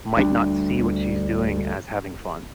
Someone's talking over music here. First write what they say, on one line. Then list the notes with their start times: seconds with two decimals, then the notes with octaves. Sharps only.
might not see what she's doing as having fun.
0.17 D2 G3 D4